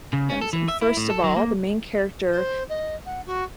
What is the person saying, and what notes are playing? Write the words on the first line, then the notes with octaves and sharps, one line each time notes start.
And first of all, the main character,
C#3
C#4
A4
E3
E5
E4
A2
A4
F#3
A#3
C5
D#5
F#5
F#4